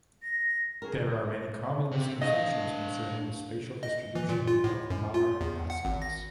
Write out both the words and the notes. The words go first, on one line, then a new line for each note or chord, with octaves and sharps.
There are many common misconceptions concerning the spatial distribution of mare basalts.
A#6
F#4 G#4 A#4
C3
D4 D#5 F5
D#5
E3
A#2
F4
A2
F#2
F4
E2
F#5
G#1
A#6